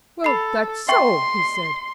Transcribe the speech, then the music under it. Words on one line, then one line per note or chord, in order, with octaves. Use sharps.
"Well, that's so," he said.
A4 B5 C7
E5 G5 C6 C#6